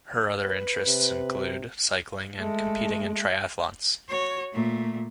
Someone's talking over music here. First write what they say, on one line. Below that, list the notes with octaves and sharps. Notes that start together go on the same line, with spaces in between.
Her other interests include cycling and competing in triathlons.
B4
C3
G#3 A3
F#4 C#5
A#2 A3